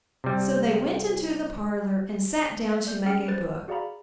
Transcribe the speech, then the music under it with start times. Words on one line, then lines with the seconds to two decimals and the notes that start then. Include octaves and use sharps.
So they went into the parlor, and sat down to make a book.
0.24 C3 G3
2.72 E5
2.87 D5 G6
3.06 C#4 G#4 G5 F6 C7 C#7
3.28 B4 C5 F#6 A6
3.68 F#4 G#4 D5 F5 A#5 B5